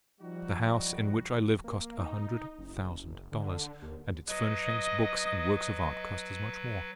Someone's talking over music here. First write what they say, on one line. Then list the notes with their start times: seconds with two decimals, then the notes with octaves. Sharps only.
The house in which I live cost a hundred thousand dollars, and its furnishings, books, and works of art cost as much more.
0.21 F3 G3 D#4 F#4
1.64 A#3
1.99 D#4
2.59 F#1
3.32 D3
3.82 D#2
4.28 F#3 B4 D#5